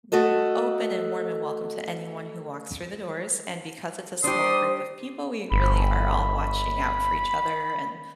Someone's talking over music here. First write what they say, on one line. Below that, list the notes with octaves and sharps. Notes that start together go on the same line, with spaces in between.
m open and warm and welcome to anyone who walks through the doors, and because it's a small group of people, we really are all watching out for each other and,
A3 F#4 A4 D#5
G3 D4 G4 C5 D5 C6 D#6
G1 B5